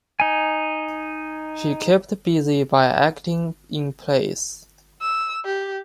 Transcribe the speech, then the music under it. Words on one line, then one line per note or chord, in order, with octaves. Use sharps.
She kept busy by acting in plays.
D#4 G#5
E6
G4